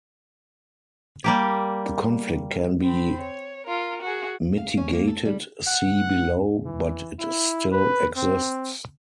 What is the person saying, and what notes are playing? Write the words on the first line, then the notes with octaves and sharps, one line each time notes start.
The conflict can be mitigated-see below-but it still exists.
G3 A#3 G4
C4 B5
C#5
F4 A#4
F#4 G#4
F5
C#4
A#3
A4
G3
F#5
E3
E4
B4
C4